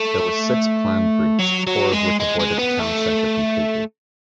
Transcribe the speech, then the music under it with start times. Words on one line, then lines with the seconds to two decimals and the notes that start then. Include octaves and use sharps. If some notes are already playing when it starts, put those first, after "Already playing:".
There were six planned routes, four of which avoided the town centre completely.
Already playing: A3
1.39 F#3
1.67 F#3
1.92 G#3
2.20 G#3
2.39 G#3
2.59 B3
2.79 A3